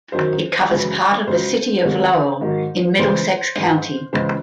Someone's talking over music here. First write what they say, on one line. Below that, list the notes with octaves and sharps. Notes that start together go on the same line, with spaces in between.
It covers part of the city of Lowell in Middlesex County.
F#2 D#3 F#3 C5
F#2 C#3 E3 G#3
C#2 C#3 F#3 C5
C2 C3 D#3 G#3
G#2 D#3 F#3
C#2 C#3 E3 G#3 C5
G#2 E3 G#3
C#2 C#3 E3 C5